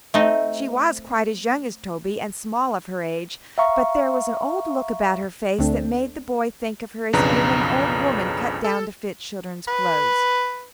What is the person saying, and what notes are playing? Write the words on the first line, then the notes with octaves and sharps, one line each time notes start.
She was quite as young as Toby, and small of her age; but there was an old look about her face that made the boy think of her as being an old woman cut down to fit children's clothes.
A3 C4 D#4
E5 F5 A#5 C#6
D2 A3 C4 D4
B1 F2 C#3 D4 B4 A#5
A4
B4